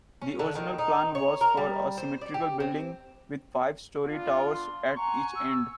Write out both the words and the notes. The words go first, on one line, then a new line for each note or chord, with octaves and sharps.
The original plan was for a symmetrical building, with five-storey towers at each end.
C#4
D3
D#3
D#4
C#5
A#4
G3
C5
D5
G4
C4
B3 D4 F4
C6
F#5 G#5 A#5 C#6
E6